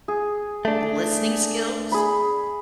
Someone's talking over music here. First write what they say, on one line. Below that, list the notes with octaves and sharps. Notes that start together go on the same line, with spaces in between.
listening skills,
G#4
A3 D4
G#4 B5